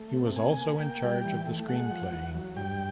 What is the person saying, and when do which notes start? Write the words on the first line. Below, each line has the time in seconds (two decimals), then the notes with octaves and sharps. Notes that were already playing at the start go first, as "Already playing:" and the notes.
He was also in charge of the screenplay.
Already playing: A3
0.14 C3
0.36 A#3 G#5
0.58 A#3
0.80 A#3 G5
1.03 G3
1.24 E3
1.47 A3
1.68 G#3 F#5
1.91 F3
2.12 E2
2.34 F#3
2.56 G2 G5